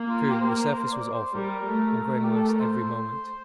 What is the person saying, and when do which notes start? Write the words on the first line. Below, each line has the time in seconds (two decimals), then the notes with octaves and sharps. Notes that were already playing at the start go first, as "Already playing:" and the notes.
True, the surface was awful and growing worse every moment.
Already playing: A#3
0.09 F4
0.30 G4
0.40 C5
0.51 A#4
0.72 C5
0.92 D5
1.14 C5
1.35 G3 A#4
1.66 A3
1.98 A3
2.23 G4
2.36 A4
2.48 A#4
2.60 C5